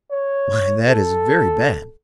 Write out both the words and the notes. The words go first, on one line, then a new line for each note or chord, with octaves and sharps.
Why, that is very bad!
C#5
A4